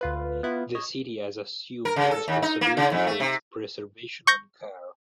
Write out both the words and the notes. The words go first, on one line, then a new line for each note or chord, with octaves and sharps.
The city has assumed responsibility for its preservation and care.
D2 F4 B4
B3 E4 F4
C#5 D#5
A#4
C#3
A4
D#2
D#4
A#3
C#3
F2
A3
C3
C#6 G6 A#6